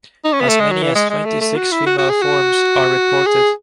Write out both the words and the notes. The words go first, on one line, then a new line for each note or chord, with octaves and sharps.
As many as twenty-six female forms are reported.
D#4
C#4
B3
A3
G#3
F#3
E3
G#3
G#3
A3
A3
F#4
E4
F#4
F#4
G#4
F#4
G#4